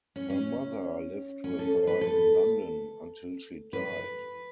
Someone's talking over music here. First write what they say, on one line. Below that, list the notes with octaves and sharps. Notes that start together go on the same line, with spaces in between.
Her mother lived with her in London until she died.
C#4
C#4
C#4
A4
B4
A4
B4